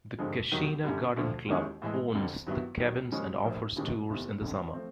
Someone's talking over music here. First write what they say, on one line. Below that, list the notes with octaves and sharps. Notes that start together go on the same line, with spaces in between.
The Cassina Garden Club owns the cabins and offers tours in the summer.
G#1 G2 D3 F3 G#3
E1 D#2 D#3 F#3
F#2 D3 G3
D2 D3 F3
D#2 D#3 G#3 C#4 E4
A2 E3 G#3
F1 F2 D3
G2 D#3 F#3 B3 E4
D#2 D#3 F#3
D#2 C#3 F3 G#3 C#4
A#1 A2 F3 A#3
G#1 G2 D#3 G#3 C#4
F1 E2 C3 D#3
F1 F2 D3
F3 A3 C4